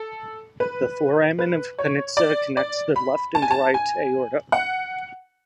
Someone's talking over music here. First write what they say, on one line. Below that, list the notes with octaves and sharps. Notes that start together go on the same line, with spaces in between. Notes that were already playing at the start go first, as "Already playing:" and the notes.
The foramen of Panizza connects the left and right aorta.
Already playing: A4
B4
B4
C#5
D5
D5
B5
A5
G#5
A5
G#5
F#5